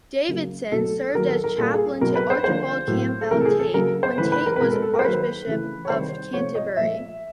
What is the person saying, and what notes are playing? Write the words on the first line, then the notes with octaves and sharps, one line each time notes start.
Davidson served as chaplain to Archibald Campbell Tait when Tait was Archbishop of Canterbury.
C#3 F#3 A#3
B2 F#3 A3 A4
D#3 F#3 A#3 A#4
A4
A#4
A#2 G3 A#3 A4
G#4
B2 F#3 B3 A#4
B4
C5
D3 F3 A#3 C5
A2 F#3 A#3
A4
C3 E3 A3 A#4
A4
G#4
A4
C#3 F#3 A#3 A#4
C5
C#3 E3 A3 B4
B4
A#4
B4
B2 G#3 B3 A#4
A4
A4
A#4
C5
D#3 F#3 A#3 B4
C#3 E3 A3
C#5
C3 D#3 G3 C5
C3 F3 A3 C#5
D#5
A#2 F3 A3 E5